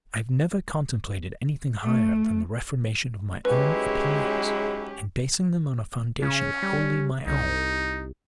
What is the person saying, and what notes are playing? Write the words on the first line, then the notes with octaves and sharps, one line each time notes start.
I have never contemplated anything higher than the reformation of my own opinions, and basing them on a foundation wholly my own.
A3
G#2 F#3 G#3 C#4 E4 G4 B4
C#3 C#4
G3
C2 D#4